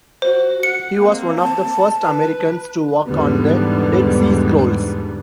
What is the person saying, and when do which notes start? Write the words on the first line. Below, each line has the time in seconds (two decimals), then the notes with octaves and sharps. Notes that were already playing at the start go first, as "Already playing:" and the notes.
He was one of the first Americans to work on the Dead Sea Scrolls.
0.22 F#4 C5
0.63 F#5 C#7
0.98 A#3 C4
1.38 A5
2.02 B4
3.08 E2 G#2 D3 G3 B3